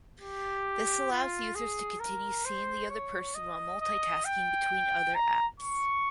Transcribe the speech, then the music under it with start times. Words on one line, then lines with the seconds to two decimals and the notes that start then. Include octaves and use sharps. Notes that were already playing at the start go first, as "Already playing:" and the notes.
This allows users to continue seeing the other person while multitasking between other apps.
0.20 G4
1.11 F4
1.55 G#4
2.00 A#4
2.45 C5
2.90 C#5
3.35 D#5
3.81 D#5
4.25 G5
5.15 A#5
5.60 C#6